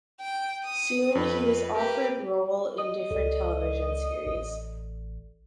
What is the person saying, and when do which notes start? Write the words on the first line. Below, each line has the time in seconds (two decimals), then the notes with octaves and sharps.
Soon he was offered role in different television series.
0.21 G5
0.64 D#6
1.15 F2 B4
1.75 G4 A#4 B4
2.78 D#5 D#6
3.11 C#2 A4 D5
4.26 A1